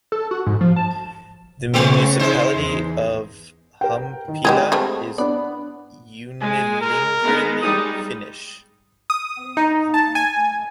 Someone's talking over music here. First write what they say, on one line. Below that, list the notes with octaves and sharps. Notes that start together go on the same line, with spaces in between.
The municipality of Humppila is unilingually Finnish.
A4
F#4
G#2
F3
A5
C#3 G#3 B3
G#3 D#4 C5
E2
A#4 G5
D#3
G#3 B3 G4 G#4 D#5
G3 A3 C4
B3 D4 D5
G#3 G#5
A#4
G#3 B3 D#4
G3 G#3 D#4 D#6
D#6
D#4
A5
G#5